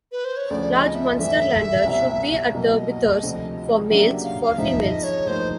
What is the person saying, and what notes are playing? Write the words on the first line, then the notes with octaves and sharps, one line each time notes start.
Large Munsterlander should be at the withers for males, for females.
B4
C5
C#5
D2 C#3 F3 D5
D#5
E5
G2 E3 A3 C4 E5
C2 B2 G3 C4
B2 F#3 A#3 D#5
D2 C3 F3
C#3 F#3 A#3 D4 G4 E5
F5
F5
G#2 F3 G#3 C4 D#4 E5
D#5
C#5
A2 F3 A#3 D#4 C5